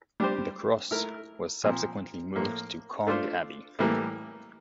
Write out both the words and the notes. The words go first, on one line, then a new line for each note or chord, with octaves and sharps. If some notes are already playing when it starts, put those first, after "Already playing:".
The cross was subsequently moved to Cong Abbey.
G3 D4 G4 C5
A3 E4 A#4
A#2 F3 C4
A2 F3 A#3
A3 D4 F4 A4 C5
A2 E3 G3 A#3